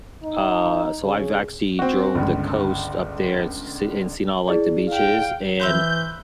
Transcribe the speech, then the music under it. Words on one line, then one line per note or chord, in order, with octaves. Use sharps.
uh so I've actually drove the coast up there and s s and seen all, like, the beaches and,
D#4
C#3
C4 F#4
G1 C#2
E4 G#4 D5
F5 G5
E3 B4 C5 E5 G6